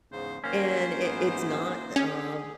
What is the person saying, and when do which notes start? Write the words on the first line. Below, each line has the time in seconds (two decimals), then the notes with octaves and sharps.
and it it's not, uh,
0.12 E2 G#2 C#3 C5
0.44 D#3 F#3 A#3 C#4 C5
1.01 G#2 E3 B3
1.96 C#4 G4 G#4